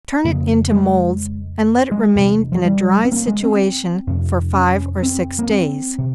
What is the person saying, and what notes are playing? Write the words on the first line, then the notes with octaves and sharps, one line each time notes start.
Turn it into moulds, and let it remain in a dry situation for five or six days.
F2 C#3 A#3
G#3
G#3
E2 C3
F3
G3
C4
A#3
G#3
C4
F2 C3
C#4
C4
A#3
C4
C3